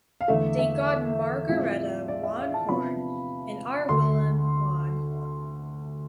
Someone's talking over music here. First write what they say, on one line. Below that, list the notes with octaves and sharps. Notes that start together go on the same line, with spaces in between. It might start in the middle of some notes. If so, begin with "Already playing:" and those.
They got Margaretha van Horne and our Willem van Horne.
F5
E2 D3 A3 E5
E5
A2 F3 G#3 C4
D5
E5
F5
A5
C3 F3 B3 D4 B5
D2 D3 A3 C6